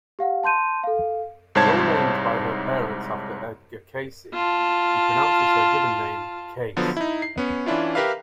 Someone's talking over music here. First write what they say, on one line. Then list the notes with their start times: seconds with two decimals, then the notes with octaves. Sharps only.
Though named by her parents after Edgar Cayce, she pronounces her given name "Case".
0.19 G4 F5 F#5
0.43 A5 C6 G6 D#7
0.84 A4 F5
1.55 C2 G#2 C5 C#5 A5 G#6
4.33 F4 A5
6.77 D3 F3 F#3 B3
6.97 D#4 E4
7.22 C7
7.37 B3 C#4
7.66 E3 C#4 D4 E4 F4
7.95 G4 A#4 B4 E5 F5